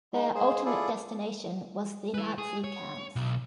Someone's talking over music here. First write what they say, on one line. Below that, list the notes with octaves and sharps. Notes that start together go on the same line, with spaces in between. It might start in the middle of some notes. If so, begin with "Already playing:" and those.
Their ultimate destination was the Nazi camps.
G#3 D#4
G#3 A#3 G#4 C5
E4 F4 G#4 A4 D5
E4 B4
G#4
C#5
B1